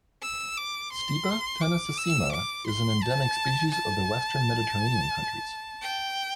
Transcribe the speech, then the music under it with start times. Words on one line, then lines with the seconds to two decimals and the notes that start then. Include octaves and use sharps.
"Stipa tenacissima" is an endemic species of the Western Mediterranean countries.
0.22 E6
0.57 D6
0.92 C6
1.61 D6
1.97 E6
2.31 D6
2.67 C6
3.02 A5
3.71 A5
5.82 G5